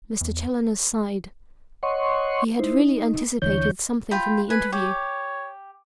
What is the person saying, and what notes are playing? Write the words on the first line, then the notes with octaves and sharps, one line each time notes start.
Mr. Challoner sighed; he had really anticipated something from the interview.
E2
C#5 D#5 F#5 C6 C#6
D#4 E4 C5
D#4
D#2 D3 E3 C#5 G6
F4 G5 B5
B4 G#5
G4 C#5